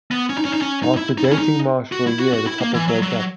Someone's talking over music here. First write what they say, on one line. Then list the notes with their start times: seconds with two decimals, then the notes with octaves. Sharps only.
After dating Marsh for a year, the couple broke up.
0.11 B3
0.29 C#4
0.38 D#4
0.45 C#4
0.53 D#4
0.62 C#4
0.83 D#4
0.97 E4
1.18 D#4
1.25 E4
1.33 C#4
1.39 D#4
1.92 F#4
2.07 E4
2.19 F#4
2.34 F#4
2.47 E4
2.61 A#3
2.74 E3
2.88 F#3
3.02 F#3